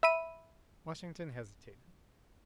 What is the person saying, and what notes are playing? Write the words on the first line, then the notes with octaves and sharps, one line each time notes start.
Washington hesitated.
E5 B5 D#7